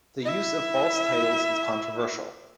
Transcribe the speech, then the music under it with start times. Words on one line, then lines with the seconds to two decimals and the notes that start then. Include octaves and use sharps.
The use of false titles is controversial.
0.24 E4 E5